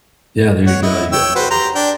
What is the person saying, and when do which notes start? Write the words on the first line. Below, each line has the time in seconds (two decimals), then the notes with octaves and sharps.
Yeah, there you go. You got the,
0.67 C#5 F#5
0.83 E4 D#5
1.12 C#5 G5 E6
1.35 F#4 B4 C5
1.51 G4 A#5 C6
1.75 D4 G5